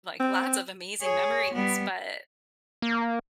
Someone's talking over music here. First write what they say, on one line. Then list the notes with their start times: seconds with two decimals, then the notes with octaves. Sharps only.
like, lots of amazing memories. But,
0.20 C4
1.02 G#4 C#5
1.53 G3 B3
2.82 A#3